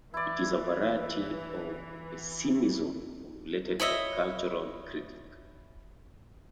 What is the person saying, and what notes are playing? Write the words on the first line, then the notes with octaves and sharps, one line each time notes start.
It is a variety of pessimism formulated by a cultural critic.
E3 E4 B4 D5
E4 C#5 D#5 E5